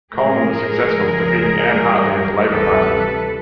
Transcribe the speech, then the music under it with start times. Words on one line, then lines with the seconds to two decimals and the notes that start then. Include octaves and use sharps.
Coleman was successful, defeating Ann Hartley of the Labour Party.
0.12 A2 F3 G#3 G#4 A#4
0.91 D2 C#3 F3 G#3
1.67 G#2 E3 G3
2.45 D2 C3 E3 G3 A4 B4